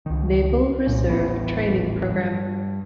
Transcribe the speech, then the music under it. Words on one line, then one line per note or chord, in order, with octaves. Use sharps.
Naval Reserve Training Program.
C#2 D#3
C2 A#2 C#4
D#1 A1 E3 B3
G2